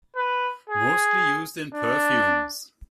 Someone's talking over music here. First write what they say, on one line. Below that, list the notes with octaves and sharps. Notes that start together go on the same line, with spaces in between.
Mostly used in perfumes.
B4
G#4
D4